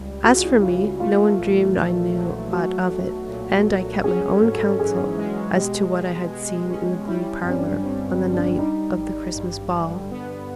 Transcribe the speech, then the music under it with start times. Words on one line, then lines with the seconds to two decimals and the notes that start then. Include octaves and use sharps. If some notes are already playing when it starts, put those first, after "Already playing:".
As for me, no one dreamed I knew aught of it, and I kept my own counsel as to what I had seen in the blue parlour on the night of the Christmas ball.
Already playing: C#2 G3
0.24 C#3 F#4
0.36 F4
0.44 E4
0.63 E3 F4
0.82 F#4
1.00 A3 F4
1.39 A#1
1.77 A#2
2.14 F#3
2.52 A3 F#4
2.90 B1
3.28 A#2
3.67 F#3
4.04 C#4 G#4
4.29 A4
4.42 G#2
4.55 A4
4.80 E3 G#4
5.17 G#3
5.56 B2 G4
5.94 B2
6.31 G#3
6.69 C#4
7.07 G3 E4
7.43 G1 C4
7.51 C#4
7.58 D4
7.83 G2 C4
8.09 C4
8.21 D3
8.34 D4
8.59 G3 D#4
8.97 G#1
9.35 G2
9.73 D3
10.11 B3